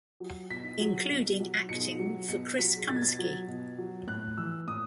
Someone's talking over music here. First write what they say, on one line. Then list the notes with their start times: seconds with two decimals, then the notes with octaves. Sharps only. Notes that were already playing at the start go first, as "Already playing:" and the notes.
Including acting for Chris Comesky.
0.20 F#3
0.50 B2 B6
0.80 F#3
1.10 B2
1.40 F#3
1.69 B2 C#7
1.99 F#3
2.29 B2 C#7
2.58 F#3 B6
2.89 B2 A6
2.96 G#6
3.02 A6
3.19 F#3
3.48 B2
3.78 F#3
4.07 A2 F#6
4.38 E3 E6
4.67 A2 D#6